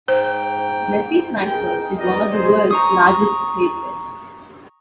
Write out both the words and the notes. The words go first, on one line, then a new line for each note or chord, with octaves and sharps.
Messe Frankfurt is one of the world's largest trade fairs.
G#2 C5 G5
B1 G#4 A#4 D#5 G5
E3 B3 D#4 A#4 D5 D#5
G#3 G#4 C5
A#5 C#6 D#6